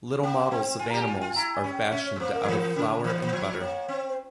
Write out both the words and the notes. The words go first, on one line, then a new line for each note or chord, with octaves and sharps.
Little models of animals are fashioned out of flour and butter.
A#3 G5
C4
F4 G#5
G4 A#5
G#5
F4
F4
G#5
E4 A#5
G#5
C#4
G5
C#4 E5
C#5
G#3
A#3 C5
A#4
F3
E3
C#3
E3 C5
E3
F3
A#3 C#5
C4
C5